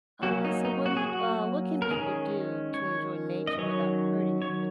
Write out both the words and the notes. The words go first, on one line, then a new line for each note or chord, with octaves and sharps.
Uh uh, so what do you uh, what can people do to enjoy nature without hurting it?
F#3 A#3 C#4 F#4
D#4
D#4
F#4
G#4
F#4
A#4
D#3 G#3 C#4 G#4
C#5
D#5
D#3 F#3 C#4 C#5
C#5